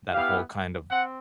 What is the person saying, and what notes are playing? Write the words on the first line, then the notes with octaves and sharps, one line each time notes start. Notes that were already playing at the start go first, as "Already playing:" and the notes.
that whole kind of,
B3 E4 G4 F5
C4 F#5